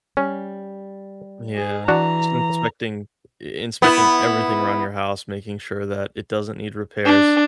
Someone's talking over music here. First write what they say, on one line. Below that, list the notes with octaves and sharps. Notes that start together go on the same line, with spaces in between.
Yeah, just inspecting i inspecting everything around your house, making sure that it doesn't need repairs,
G3 C#4
G#4
E3 D4 F#4 A#5
B3 E4
D4